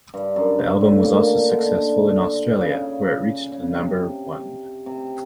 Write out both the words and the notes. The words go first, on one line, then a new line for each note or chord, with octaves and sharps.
The album was also successful in Australia, where it reached number one.
G2
F#2
G2
A2
A#2
D3 D#3
D3
C#3
C#3
C3
C3